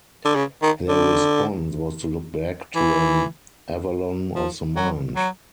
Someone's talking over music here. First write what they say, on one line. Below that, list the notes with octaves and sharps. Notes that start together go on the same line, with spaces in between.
Their response was to look back to an Avalon of the mind.
D3
C#3
D#3
D3
E3
F3
F#3
F#3